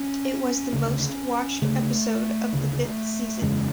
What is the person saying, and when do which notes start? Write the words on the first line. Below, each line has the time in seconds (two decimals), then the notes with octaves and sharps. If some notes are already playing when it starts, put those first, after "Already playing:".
It was the most watched episode of the fifth season.
Already playing: C#4
0.73 D2 C#3
1.62 D2 C#3 A3
2.53 D2 C#3
3.42 F#1 E2 C#3 G#3